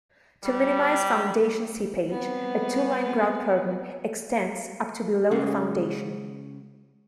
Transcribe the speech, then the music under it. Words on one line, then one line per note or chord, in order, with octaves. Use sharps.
To minimize foundation seepage, a two-line grout curtain extends up to below the foundation.
G3
G3 B3 C4
C#3 G#3 C#4 G#4 F#5